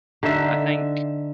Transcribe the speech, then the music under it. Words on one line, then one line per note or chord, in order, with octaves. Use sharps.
I think,
D3 D#4 E5